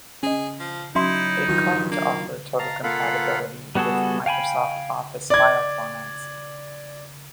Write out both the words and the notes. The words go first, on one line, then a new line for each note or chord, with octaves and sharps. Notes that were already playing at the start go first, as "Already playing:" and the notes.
It claimed to offer total compatibility with Microsoft Office file formats.
C#4 G#4 D#5
F3
F#3 C#4 D#4 E4 E5 C6
G2 D#3 F#3 F4 F#4
A#3 D4
F5 A5 A#5
A#3 F4 A4 F5 F#5 B5
G3 B3 F#4 G#4 A4
F5 G5 G#5 B5
D5 G#6